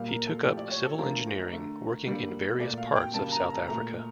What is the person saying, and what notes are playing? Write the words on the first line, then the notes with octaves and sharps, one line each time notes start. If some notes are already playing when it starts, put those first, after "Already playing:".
He took up civil engineering, working in various parts of South Africa.
Already playing: A#2 G3 A#3 F5
A#4
A4
A2 F3 A3 G4
D5
C#5
A4
D3 F3 A3 A#4
D3 A3
D3 G3 A#3
A#2 A3 D5
F5
G5
C#3 G3 A#3 A5
A#5
A#5
A#2 A3 A#5